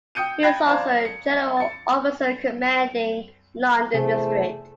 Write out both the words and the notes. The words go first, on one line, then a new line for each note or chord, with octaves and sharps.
He is also General Officer Commanding London District.
G5 D#6 G6 C#7 D#7
G5 B5 F#6 G#6 A#6
C5 D5 F5 A5 A#5
C#7
A6 C#7
E2 C3 A3 G#4 C5